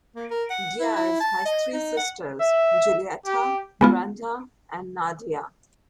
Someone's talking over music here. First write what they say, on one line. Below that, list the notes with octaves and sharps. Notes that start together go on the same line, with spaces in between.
Diaz has Three sisters, Julieta, Brenda and Nadia.
A#3
A#4
F#5
E4
E4
A5
D#5
D#4
F#5
E5
G4
G#3 B3 F4